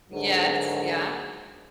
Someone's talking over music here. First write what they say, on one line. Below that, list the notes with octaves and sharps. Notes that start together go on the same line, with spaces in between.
Yes, yeah.
G#2 D3 D#3 F#3